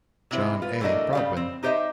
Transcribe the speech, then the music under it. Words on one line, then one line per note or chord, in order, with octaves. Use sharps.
John A. Broadwin.
C3 E4 C5
F4 B4
E3 F#3 A3 A#3 D4 D#5
C#3 G3 F5
C4
D#4 G4 C5 C#5 D#5 E5